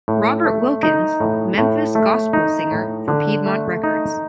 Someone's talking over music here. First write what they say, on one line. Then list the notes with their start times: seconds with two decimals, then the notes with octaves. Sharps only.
Robert Wilkins: Memphis Gospel Singer, for Piedmont Records.
0.08 A2
0.45 A3
0.83 D#4
1.20 A2
1.58 A2
1.95 A3
2.33 D#4
2.71 A2
3.08 D3
3.46 A3
3.84 D#4